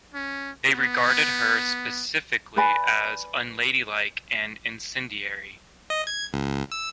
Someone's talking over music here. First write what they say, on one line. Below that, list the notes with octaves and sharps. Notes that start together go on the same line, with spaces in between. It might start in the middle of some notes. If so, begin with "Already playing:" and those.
They regarded her specifically as unladylike and incendiary.
C#4
B3
B4 D5 G#5 B5
D#5
G#6
C#2
E6